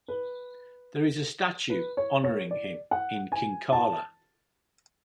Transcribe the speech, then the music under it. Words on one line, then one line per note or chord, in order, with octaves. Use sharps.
There is a statue honoring him in Kinkala.
B4
B4
C#5
C#5
D5
F#5
G#5
A5